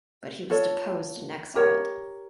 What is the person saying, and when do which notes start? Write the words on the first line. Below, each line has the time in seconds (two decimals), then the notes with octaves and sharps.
But he was deposed and exiled.
0.50 F4 A4 C#5
1.55 G4 A#4 C#5